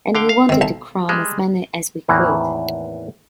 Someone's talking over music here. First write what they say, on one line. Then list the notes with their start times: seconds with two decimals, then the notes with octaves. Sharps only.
And we wanted to cram as many in as we could.
0.15 D3 F5 G5
0.29 F5
0.49 D#3 C4
0.61 B1 A5
1.09 G3 G#3
2.08 E2 A2 D#3 E3 A#3 C4